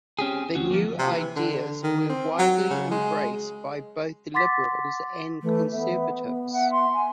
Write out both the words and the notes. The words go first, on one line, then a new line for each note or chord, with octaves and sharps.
The new ideas were widely embraced by both liberals and conservatives.
C4 C#4 G4 G#4
D2 C#4 F#4
F3 A#3
C3
E3
D3
D#3
C4
F#3
C#3
G#3
F#5 C6 D6 A6 B6
E3 A3
B3 E5
B3
E5 F#5
C6
G#5